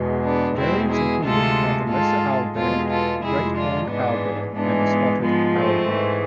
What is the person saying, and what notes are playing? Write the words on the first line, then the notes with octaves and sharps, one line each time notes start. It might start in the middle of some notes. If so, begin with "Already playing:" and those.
Variants included are the lesser owlbear, great horned owlbear and the spotted owlbear.
Already playing: E2 B2 G#3
B3 D4
E2 B2 G#3 C4 E4
E4 G#4
D2 C3 G#3 F4 A4
G#2 G#3 F4 A4
E2 B2 G#3 F4 A4
F4 A4
F2 C3 G#3 E4 G#4
D4 F4
G#2 E3 G#3 B3 D4
G#2 E3 G#3 B3 D4
B3
G#2 F3 G#3 B3
A3 C4
G#2 E3 G#3